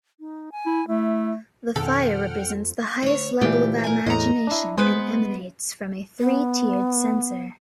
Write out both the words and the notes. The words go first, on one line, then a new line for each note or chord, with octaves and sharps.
The fire represents the highest level of imagination and emanates from a three-tiered censer.
D#4
G#5
E4
A3 E4
F2 B2 D#3 A4 F#5 G5 F6
D2 C#5
D2 A#2 E3 A3 G4
A#4 G#5
E2 A2 D#5 A#5
D4 E4
G#3 B3 G#4 B4 C5
B3